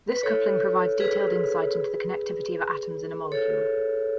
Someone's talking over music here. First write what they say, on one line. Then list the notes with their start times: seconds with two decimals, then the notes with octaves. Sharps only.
This coupling provides detailed insight into the connectivity of atoms in a molecule.
0.13 B4
0.23 A4 C#5
1.00 G#4 B4
3.32 A4 C#5